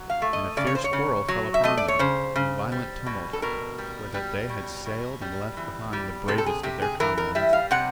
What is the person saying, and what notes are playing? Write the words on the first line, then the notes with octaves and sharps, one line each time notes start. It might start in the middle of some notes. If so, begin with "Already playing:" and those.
And a fierce quarrel fell upon them, and violent tumult, for that they had sailed and left behind the bravest of their comrades.
Already playing: F#3
F5
A3
D#5
C#3 D5
C#5
C5
C#5
C#3
F#3
E5
A3 D#5
D5
C#5
C#3 C5
C#3
G3
B2
A4
B2 A#4
G3
G3
B2
B2
G3
E3
G3
C3 A4
A4
G#4
C3 G4
G#4
E3 A#4
A#4
G3 E5
F5
C3 F#5